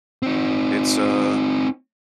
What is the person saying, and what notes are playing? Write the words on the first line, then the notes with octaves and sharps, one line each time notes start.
it's a
C4 D#4